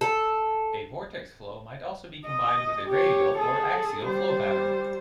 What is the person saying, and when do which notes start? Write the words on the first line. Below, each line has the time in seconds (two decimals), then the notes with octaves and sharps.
A vortex flow might also be combined with a radial or axial flow pattern.
0.01 A4
2.25 D#5
2.89 G4 C#5
3.38 G#4 A4
4.05 G3 C5